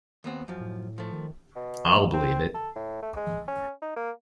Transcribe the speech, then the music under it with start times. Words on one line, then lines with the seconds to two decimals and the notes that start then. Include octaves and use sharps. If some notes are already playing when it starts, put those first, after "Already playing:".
I'll believe it.
0.24 D#2 B3 C4
0.48 F#2 F3
0.60 A2
0.98 F3 A3
1.12 D#3
1.56 B2
2.13 C4
2.54 A4
2.76 A2
3.02 A3
3.16 G#3
3.48 C#4
3.82 D#4
3.97 A#3